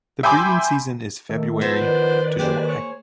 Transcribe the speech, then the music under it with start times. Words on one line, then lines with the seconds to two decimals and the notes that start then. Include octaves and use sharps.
The breeding season is February to July.
0.23 E5 G5 G#5 B5 C6 D6
1.29 D#3 A3
1.61 F3 B3 C5 A5 E6 G#6
1.81 D#3 B4 D5
2.39 A#3 G4 G#4 C5
2.67 C#5